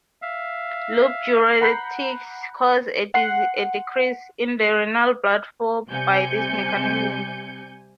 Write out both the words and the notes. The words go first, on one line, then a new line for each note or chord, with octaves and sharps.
Loop diuretics cause a decrease in the renal blood flow by this mechanism.
E5 F5
F#5 A#5 B5 F#6 G6 C7
F#5 C6
C3 G3 G#5 G6 C#7